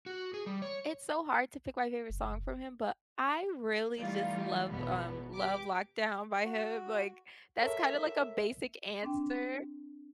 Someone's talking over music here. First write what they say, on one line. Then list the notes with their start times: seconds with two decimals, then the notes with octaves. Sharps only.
it's so hard to pick my favorite song from him, but I really just love, um, Love Lockdown by him, like that's kind of like a basic answer.
0.06 F#4
0.34 G#4
0.46 G3
0.62 C#5
2.10 F#1
3.97 E3 G3 A3 D#4 F4
4.68 G#1 E2 B2 B3
5.34 G4 D6
6.45 F#4
7.61 A4 A#4 C#5 E5
9.03 C4 D4 G5